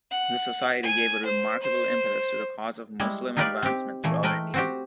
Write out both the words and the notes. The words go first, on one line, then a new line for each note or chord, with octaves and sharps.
The Society gave a remarkable impetus to the cause of Muslim advancement throughout India.
F#5
G#5
C5
C5
G3 G#3 E4
D#4 F4 G4 A#4 B4 D5
C4 G4
A#2 E3 A3
G#3 A3 A#4 B4 G5
C4 F#4 G4